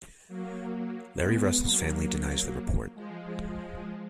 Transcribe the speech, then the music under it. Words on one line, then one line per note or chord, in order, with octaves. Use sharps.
Larry Russell's family denies the report.
F#3 A#3
G#3 B3
F#3 A#3
F3 G#3